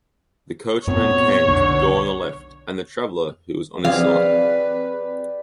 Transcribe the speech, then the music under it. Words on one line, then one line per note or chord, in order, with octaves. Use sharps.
The coachman came to the door on the left and the traveler who was on his side.
F2 A#2 B3 C#5
B1 D3
F3 C4 G4 G#4 B4 D5 F5